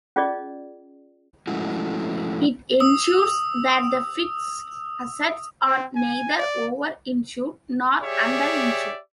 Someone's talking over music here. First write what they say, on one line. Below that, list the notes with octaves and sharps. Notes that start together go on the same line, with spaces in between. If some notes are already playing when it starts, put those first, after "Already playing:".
It ensures that the fixed assets are neither over-insured nor under-insured.
C#4 F4 G#4 D5 D#5
F3 G#3 A3 C#4 E4 F#4
D#6 E6
C4
G#5
D5
G4 G#4 C#5 D5 E5